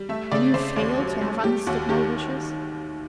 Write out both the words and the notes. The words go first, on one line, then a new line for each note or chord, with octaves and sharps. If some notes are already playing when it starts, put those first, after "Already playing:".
Can you fail to have understood my wishes?
Already playing: G3
A3 E5
C#3 D5
C#3 C5
D#2
F#3
A3
G3 G4
D#2 F#4
D#3 G4